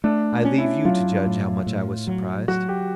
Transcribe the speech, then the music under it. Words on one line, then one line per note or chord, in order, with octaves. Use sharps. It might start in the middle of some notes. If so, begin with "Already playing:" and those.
I leave you to judge how much I was surprised.
A3 D4
C#4
E4
F#3 F4
A2
A2
F#3
F#3 F#4
G4